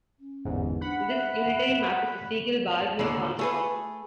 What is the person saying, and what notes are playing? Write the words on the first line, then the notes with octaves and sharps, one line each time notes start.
This unitary map is the Segal-Bargmann transform.
C#4
G1 E2 G#2
D4 F#5 B5
E5
D#2 A2 D3
A3 G#4 B4